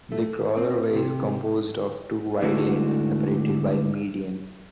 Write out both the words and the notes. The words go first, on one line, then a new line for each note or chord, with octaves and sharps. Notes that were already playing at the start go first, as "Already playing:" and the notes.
The crawlerway is composed of two wide lanes, separated by a median.
A3
C4
C3
G#2 D3 A3 D4 E4 F#4